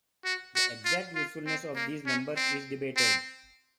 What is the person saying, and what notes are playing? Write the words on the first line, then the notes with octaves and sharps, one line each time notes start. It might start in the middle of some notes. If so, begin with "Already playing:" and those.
The exact usefulness of these numbers is debated.
F#4
F#4
F4
F4
C4
A#3
C#4
C4
C4